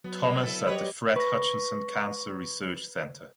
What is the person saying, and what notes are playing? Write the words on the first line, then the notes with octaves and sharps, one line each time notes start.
Thomas at the Fred Hutchinson Cancer Research Center.
F#3 B3
G3 G#3 A#3
B3 E4 A4
F#3 G3 G4 B4 C#5 D#5
B4 C#6 A#6